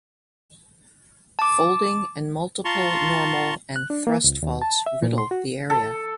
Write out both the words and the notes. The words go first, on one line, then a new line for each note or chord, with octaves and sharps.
Folding and multiple normal and thrust faults riddle the area.
A5 D6
F4 A5 A#5 C6 C#6
F#6
D4
A#3
C#2
D#2
A5
E5
A#2
C6
F#4
A4